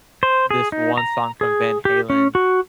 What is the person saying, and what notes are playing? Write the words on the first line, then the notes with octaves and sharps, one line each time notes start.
this one song from Van Halen,
C5
G#4
D#4
A#5
G#4
G4
C#4
F#4